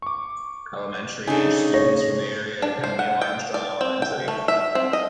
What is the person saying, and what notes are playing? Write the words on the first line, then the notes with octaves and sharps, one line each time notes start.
Elementary-aged students from the area attend Neil Armstrong Elementary.
C#6 D6
C#3 D4 D#4 A4 G#5
C#5 A#6
D4
C5
F#5
G5
D5
C4
G5
A3
E5
C4
D#5